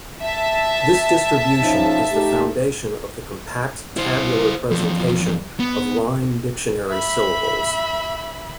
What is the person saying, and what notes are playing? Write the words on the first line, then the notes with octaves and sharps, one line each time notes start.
This distribution is the foundation of the compact tabular presentation of rime dictionary syllables.
E5 A5
F3 C#4 D#4
A3 D#4 G4
E4 C5
E2 F3
B3
E5 B5